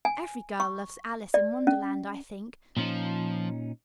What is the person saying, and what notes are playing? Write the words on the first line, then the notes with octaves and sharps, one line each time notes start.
Every girl loves 'Alice in Wonderland,' I think.
G#5
C#6
D5
C#4
A#2 F3 C#4 D#4